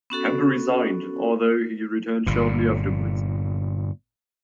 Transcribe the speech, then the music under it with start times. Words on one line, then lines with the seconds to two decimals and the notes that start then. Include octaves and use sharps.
Kempe resigned, although he returned shortly afterwards.
0.10 B3 C#4 F#4 A4
2.27 G1 A#2